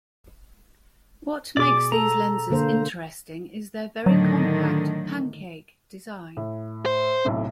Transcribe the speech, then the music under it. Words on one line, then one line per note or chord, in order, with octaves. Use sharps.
What makes these lenses interesting is their very compact "pancake" design.
B2 G#4 D5 D6
A4 A#5
D3 A#3 C5
A2 D3 D#3 F#3
A2
C5
B1 A2 C3